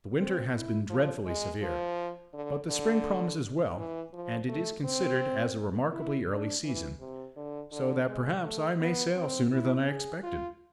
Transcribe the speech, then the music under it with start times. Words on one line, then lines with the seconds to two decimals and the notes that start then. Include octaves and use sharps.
The winter has been dreadfully severe, but the spring promises well, and it is considered as a remarkably early season, so that perhaps I may sail sooner than I expected.
0.18 C4
0.54 E4
0.90 F3
1.26 G#3
1.61 F3
2.33 D3
2.69 D3
3.77 E3
4.13 F3
4.49 A3
4.84 C4
5.92 E4
6.28 D4
6.64 E3
7.00 C3
7.36 D3
7.72 D3
8.08 G#3
8.43 A3
8.80 B3
9.16 C4
9.51 E4
9.87 G#4
10.23 F4